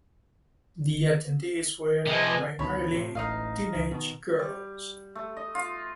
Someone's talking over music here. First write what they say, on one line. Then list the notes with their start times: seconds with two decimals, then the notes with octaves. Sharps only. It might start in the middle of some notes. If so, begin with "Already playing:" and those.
The attendees were primarily teenage girls.
2.07 C3 F3 G#4 B4 D#5 G#5
2.59 D2 B2 D#3 C#5 B5
2.93 A2 C3
3.15 E1 A1 A2 D#4 D#5 F5
3.75 C#2 D#3
3.91 B2 D#3
4.39 G3
5.15 A3
5.37 D#5
5.55 F4